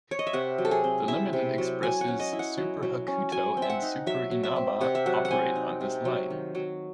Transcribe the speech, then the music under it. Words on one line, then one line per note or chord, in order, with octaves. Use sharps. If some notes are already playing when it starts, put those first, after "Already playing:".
The limited expresses "Super Hakuto" and "Super Inaba" operate on this line.
C#5
D#5
E5
C3 F#5
F#3
A4
G#4
C4
E4 E5
C3
F#3
F#3 G#5
F#5
C#4
D#5
E4
F#5
F#3
F#3
C#4
F#3 G#5
C4
E5
F#5
D#4
F#3 E5
F#3
E5
C4
C3 F#5
E5
F#3 F#5
F#5
C4 G#5
D#4
C3
F#3
D#3
F#3